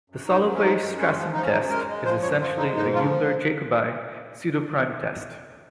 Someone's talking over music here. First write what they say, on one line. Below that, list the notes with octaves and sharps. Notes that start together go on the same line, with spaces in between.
The Solovay-Strassen test is essentially a Euler-Jacobi pseudoprime test.
F#2
F#2 D#4
F3
C#4
G#3 D#4
F#2
G#3 C#4
F3
F3 D#4
C#4
F#2 D#4
G#3 A#4
G#3
F3 C5
F#2 C#5
F3 F4
G#3 D#4
G#2 D#4
F3 F4